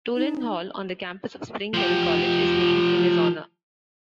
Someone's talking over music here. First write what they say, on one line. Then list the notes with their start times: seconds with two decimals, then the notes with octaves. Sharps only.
Toolen Hall, on the campus of Spring Hill College, is named in his honor.
0.16 D#4
1.74 F3 G4